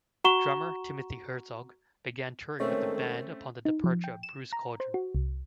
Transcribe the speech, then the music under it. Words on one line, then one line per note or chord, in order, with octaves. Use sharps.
Drummer Timothy Herzog began touring with the band upon the departure of Bruce Cawdron.
F#4 F#5 A#5 C#6 E7 G7
D#3 G#3 A3 C4 C#4 A4 A#4 C#5
D#4
F3
G5
E7
A#5
C5
F#4
C2